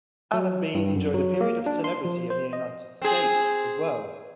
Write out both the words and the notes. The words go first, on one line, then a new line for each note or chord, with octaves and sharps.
Allenby enjoyed a period of celebrity in the United States, as well.
F#3
G2
F#2
F#3
A#3
D4
C6
F3
C5
D#5
C4 G#4